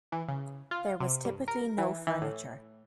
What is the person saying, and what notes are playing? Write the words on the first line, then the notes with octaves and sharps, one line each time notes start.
There was typically no furniture.
E3
C#3
F4
C3
G2
A#4
E3
E3
A2